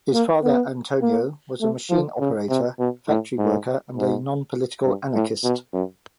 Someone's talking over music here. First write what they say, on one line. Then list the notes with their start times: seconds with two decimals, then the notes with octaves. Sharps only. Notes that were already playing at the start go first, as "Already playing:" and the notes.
His father, Antonio, was a machine operator, factory worker and a nonpolitical anarchist.
0.14 A#3
0.43 B3
1.01 A#3
1.61 A3
1.90 F3
2.20 C#3
2.49 C3
2.79 B2
3.08 A2
3.38 G#2
3.97 G#2
4.85 G2
5.15 A2
5.44 B2
5.73 F#2